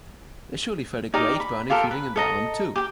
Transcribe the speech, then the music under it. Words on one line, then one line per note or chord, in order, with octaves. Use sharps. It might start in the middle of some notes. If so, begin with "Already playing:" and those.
They surely felt a great burning feeling in the arm, too!
D#4 G4 A#4 D5
B5
F4 G4 A4 A#4
B4
A4 D#5 A#5
G4 G5